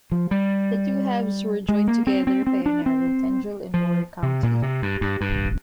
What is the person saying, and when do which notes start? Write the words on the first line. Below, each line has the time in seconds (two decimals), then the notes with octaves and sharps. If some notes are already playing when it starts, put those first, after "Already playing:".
The two halves were joined together by a narrow tendril in Waller County.
0.12 F3
0.31 G3
1.69 G#3
1.88 A#3
2.07 C4
2.27 C4
2.47 C4
2.66 D4
2.86 C4
3.74 F3
4.23 C3
4.43 A#2
4.62 C3
4.82 G2
5.01 G2
5.21 G2